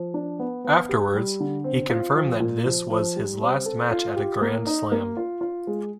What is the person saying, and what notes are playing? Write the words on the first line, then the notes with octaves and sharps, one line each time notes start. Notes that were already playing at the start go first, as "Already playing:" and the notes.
Afterwards, he confirmed that this was his last match at a grand slam.
Already playing: F3
D4
B3
B3
G4
G3
D3
C4
F4
F3
A#2
F3
F3
G3
C4
A4
F4
G4
A#3
D#4
A#3
F4
F4
G#3